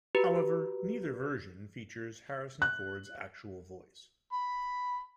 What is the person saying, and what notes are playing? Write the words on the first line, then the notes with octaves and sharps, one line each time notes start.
However, neither version features Harrison Ford's actual voice.
F#4 G4 B4 A#5
F#6
B5